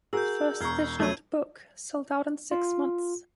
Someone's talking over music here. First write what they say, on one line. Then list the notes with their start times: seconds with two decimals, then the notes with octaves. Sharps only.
The first edition of the book sold out in six months.
0.13 F#4 G#4 A#4 E6 G6
0.61 E1 A#5 C#6 F6 G#6 C7
1.00 C#3 F3 F#3 A3 C#4 E6 G#6 D#7
2.51 F4